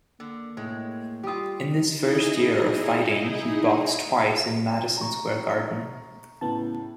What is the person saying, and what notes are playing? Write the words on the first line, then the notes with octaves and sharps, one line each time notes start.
In this first year of fighting he boxed twice in Madison Square Garden.
D3 A#3
A2 G#3
G3 F4 G4 D#6
D#4 E4 G#4 D#5
A#5 C#6
A2 C#3 B3 A5